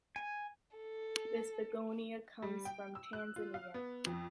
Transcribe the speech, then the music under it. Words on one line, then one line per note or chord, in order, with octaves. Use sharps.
This Begonia comes from Tanzania.
G#5
A4
G3
G5
E6
F#6
F4
F5
B3
F2